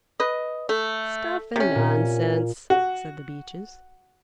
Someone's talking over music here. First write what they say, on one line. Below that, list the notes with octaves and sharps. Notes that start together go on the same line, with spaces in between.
"Stuff and nonsense!" said the Beeches.
B4 D#5
A3
C3 C#4
A#2
F#4